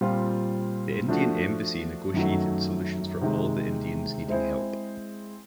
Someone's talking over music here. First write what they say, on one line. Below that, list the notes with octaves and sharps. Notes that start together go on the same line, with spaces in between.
The Indian Embassy negotiated solutions for all the Indians needing help.
A#2 G3 C4 F4
F3 A3 D4 F#4
F#2 D#3 F#3 A3
C3 D#3 G#3
G#3 C4 E4 G#4 C5